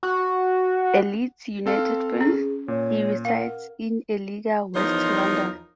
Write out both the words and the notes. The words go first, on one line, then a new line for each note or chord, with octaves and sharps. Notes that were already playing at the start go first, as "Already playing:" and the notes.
A Leeds United fan, he resides in Ealing, West London.
F#4
C4 A4 F5
C#4 G#4
A#2 C#5
A#4 F5 F#5
E2 F3 D#4 A#4 C5 C#5